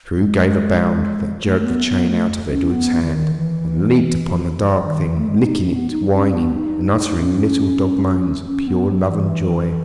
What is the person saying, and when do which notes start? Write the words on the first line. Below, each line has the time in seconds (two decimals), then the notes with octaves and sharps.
True gave a bound that jerked the chain out of Edred's hand, and leaped upon the dark thing, licking it, whining, and uttering little dog moans of pure love and joy.
0.16 G#3
1.44 A3
1.60 A3
1.65 B3
1.87 B3
2.07 A3
2.50 C#4
2.71 B3
3.03 D#3
3.36 E3
4.85 D#3
5.06 E3
5.18 A3
5.27 G#3
5.42 D#4
5.59 C#4
5.75 B3
5.91 D#4
6.12 C#4
6.33 B3
6.55 D#4
7.09 D#4
7.19 C#4
8.46 C#4
8.67 B3
8.89 F#3
9.10 E3